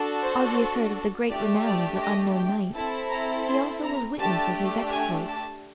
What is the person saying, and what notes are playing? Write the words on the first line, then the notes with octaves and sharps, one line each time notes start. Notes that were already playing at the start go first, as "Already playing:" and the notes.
Argius heard of the great renown of the unknown knight; he also was witness of his exploits.
Already playing: D4 F#4 A4
C5
A3 D4 G4 D5
D5
D#5
G5
C4 E4 A4 A5
A#5
C6
A#5
A3 D4 G4 A5
G#5
A5